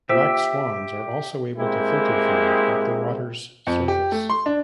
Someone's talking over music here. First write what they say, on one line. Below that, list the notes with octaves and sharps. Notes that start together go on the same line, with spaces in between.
Black swans are also able to filter feed at the water's surface.
A#3 F4 G4 C5 E5
G#3 A#3 C4 E4 G4
F2
G4
A3
C6
D4